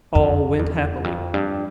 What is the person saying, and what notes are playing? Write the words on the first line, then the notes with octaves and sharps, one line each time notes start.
All went happily.
F2
E2
F2
G2